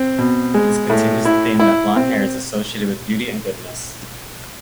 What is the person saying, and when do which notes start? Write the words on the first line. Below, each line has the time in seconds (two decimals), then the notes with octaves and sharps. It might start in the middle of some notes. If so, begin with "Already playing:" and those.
This continues the theme that blond hair is associated with beauty and goodness.
Already playing: C4
0.19 B2
0.54 G#3
0.90 A2
1.25 E4
1.59 E4
1.96 C4